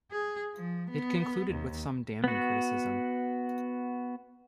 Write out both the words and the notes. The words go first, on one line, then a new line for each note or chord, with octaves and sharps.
It concluded with some damning criticism.
G#4
F3
B3
D#2
B3 F#4